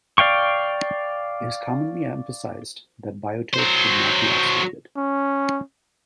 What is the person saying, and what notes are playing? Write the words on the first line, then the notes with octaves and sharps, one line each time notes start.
It is commonly emphasised that biotopes should not be isolated.
D5 F5 G5 C#6
F#3 C5
C#4